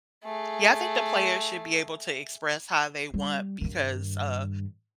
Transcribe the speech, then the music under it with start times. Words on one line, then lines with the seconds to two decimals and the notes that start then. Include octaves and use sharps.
Yeah, I think the players should be able to express how they want because, uh,
0.24 A3 G#4
3.14 G3
3.61 G2 D#3